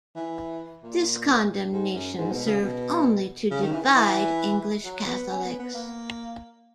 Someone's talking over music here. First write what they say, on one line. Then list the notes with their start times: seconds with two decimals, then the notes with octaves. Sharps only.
This condemnation served only to divide English Catholics.
0.16 E3
0.83 A#2
1.72 G#2
1.94 F#2
2.17 G#2
2.31 B2
2.46 C#3
2.62 B2
3.50 C#3
3.62 D#3
3.73 E3
3.96 E3
4.85 F#3
5.07 B3
5.30 C#4
5.44 B3
5.59 B3
5.74 A#3